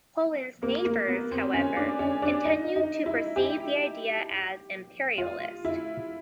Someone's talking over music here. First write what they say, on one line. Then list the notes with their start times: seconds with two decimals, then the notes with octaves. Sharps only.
Poland's neighbors, however, continued to perceive the idea as imperialist.
0.63 A#3
0.85 A#3
1.08 B3
1.32 C4
1.53 C#4
1.76 D4
1.99 C#4
2.22 D4
2.45 D#4
2.76 D#4
3.06 E4
3.36 G4
5.18 F4
5.65 E4